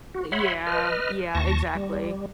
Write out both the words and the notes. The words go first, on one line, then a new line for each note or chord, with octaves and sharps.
Yeah, yeah, exactly.
F#4
C#5 E5 F#5 B5 C6
B4 D#5 F6
D#2 A5 C#6 A#6
G3